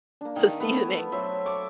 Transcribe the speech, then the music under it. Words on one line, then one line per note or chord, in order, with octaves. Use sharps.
the seasoning.
A#3 D4
D#3
A3 B3
B3
F#3 C5 E5
C#5 E5 A5 D6